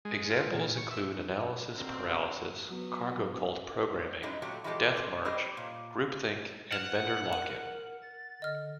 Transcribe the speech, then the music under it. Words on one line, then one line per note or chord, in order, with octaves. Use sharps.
Examples include analysis paralysis, cargo cult programming, death march, groupthink and vendor lock-in.
G#3
F4
A#2
C#6
E5
B2 D3 C4 A#4
F#3 B3
F#3 G#3 C#4 D#4 E4
A#2 F#3 A3 F#4 G4
E3 F3 G#3 G4 A4
C4
G3 G4 C5 C#5 D#5
A#2
F#5 F6 E7 F7
A#4 F#7
A6
D3 D#5 F6